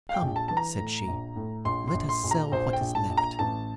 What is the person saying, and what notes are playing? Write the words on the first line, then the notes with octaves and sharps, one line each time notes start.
"Come!" said she, "let us sell what is left."
F5
G5
A#1
A5
E3 A5
A#5
A2
A#1
A2
A#1 C6
C6
A#1
C6
A#1
A#5
A#1 C5
G5
A#1
A5
A#1
A#5
A1 A5